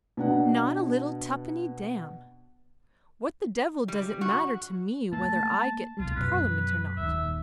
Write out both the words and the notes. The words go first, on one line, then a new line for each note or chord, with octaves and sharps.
Not a little tuppenny damn. What the devil does it matter to me whether I get into Parliament or not?
B2 D4 F#5
G3
F#4
A3 A#3 A5
B1 F4
F#2 B2 B4
D#1 D#2 E5